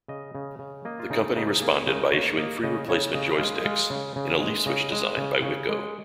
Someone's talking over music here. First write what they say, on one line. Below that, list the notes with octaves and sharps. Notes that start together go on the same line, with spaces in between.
The company responded by issuing free replacement joysticks in a leaf-switch design by Wico.
C#3 D#5
C#3
C#3
A#3 D#5
F4
C#3 D#4
C#3 D#4
A#3 G#4
C#3 A#4
A#3 C#5
A#3 D#5
C#3 D#5
C#3 C#5
C#3 D#5
G#3 F5
D#5
G#3 F5
C#3
C#3
G#3
C#3 D#5
G#3
C#3
C#3 C#5
G#3